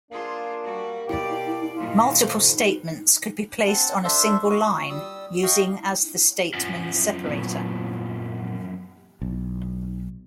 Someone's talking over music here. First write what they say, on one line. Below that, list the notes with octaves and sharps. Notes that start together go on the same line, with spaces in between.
Multiple statements could be placed on a single line using as the statement separator.
A#3 D4 F4 G#4 C5
G3 F#4
B2 G4 D5
G2 A#2 D#3 F4
F2
C4 F#5 A5
D4 A4 C5 E5
F#4
G3 D#6 E6
D#5 F5 G5 C#6
F#2 F3
A#2 E3 B3
B1